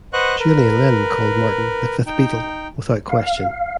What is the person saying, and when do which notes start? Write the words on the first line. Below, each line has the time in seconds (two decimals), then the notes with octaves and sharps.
Julian Lennon called Martin "The Fifth Beatle, without question".
0.13 B4 C5 D#5 F#5 C#6 F#6
0.40 A#4 B4
2.06 D#4 G5
3.09 F5